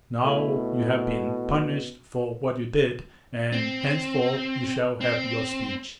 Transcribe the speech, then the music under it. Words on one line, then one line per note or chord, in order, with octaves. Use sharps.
Now you have been punished for what you did, and henceforth you shall have your speech.'
B2 A3 E4
C4
C4